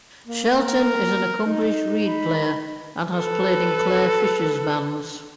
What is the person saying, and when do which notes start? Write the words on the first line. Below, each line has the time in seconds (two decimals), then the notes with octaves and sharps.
Shelton is an accomplished reed player and has played in Clare Fischer's bands.
0.27 A#3
0.58 A#4
1.46 D#4
2.08 B5
3.17 A4 B4